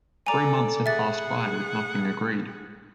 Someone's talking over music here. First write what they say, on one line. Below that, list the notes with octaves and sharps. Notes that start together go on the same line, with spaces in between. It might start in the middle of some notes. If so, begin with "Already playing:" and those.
Three months had passed by with nothing agreed.
A4 D5 G#5 A#5
G#4 E5 F#5 A6